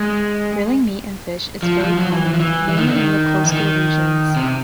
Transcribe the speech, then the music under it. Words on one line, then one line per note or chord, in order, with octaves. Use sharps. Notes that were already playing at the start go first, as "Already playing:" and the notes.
Grilling meat and fish is very common, mainly in the coastal regions.
Already playing: G#3
F3
F#3
F3
F#3
E3
E3
F3
E3
E3
D#3
D3
D#3
E3
D#3
C3